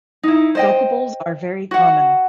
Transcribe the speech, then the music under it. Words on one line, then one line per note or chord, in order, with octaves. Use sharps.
Vocables are very common.
D#4 E4
C5 D#5 G5
F#4 F#5